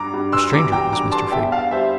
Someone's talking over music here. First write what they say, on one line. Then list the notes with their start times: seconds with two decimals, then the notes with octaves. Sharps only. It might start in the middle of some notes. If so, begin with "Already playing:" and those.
The stranger was Mr. Fagin.
Already playing: G2 A#5 D6
0.14 G2
0.32 C6 E6
0.52 E3 A#5 D6
0.72 G5 A#5
0.93 G2 A#5 D6
1.12 A5 C6
1.32 E2 E5 G5
1.52 F5 A5
1.71 G3 C5 E5